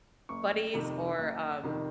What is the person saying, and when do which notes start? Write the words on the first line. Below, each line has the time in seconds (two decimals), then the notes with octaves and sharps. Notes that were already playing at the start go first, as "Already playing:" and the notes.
Buddy's or, um,
0.29 F#1 C#6
0.74 F2 C3 D#3
1.18 F#1
1.63 F2 C3 D#3